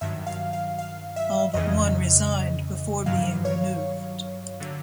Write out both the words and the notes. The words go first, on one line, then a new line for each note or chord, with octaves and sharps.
All but one resigned before being removed.
G2 D#3 F#3 E5
F5
F5
F5
E5
F2 C#3 E3 D#5
G2 D#3 F#3 F5
C#5
D3 F#3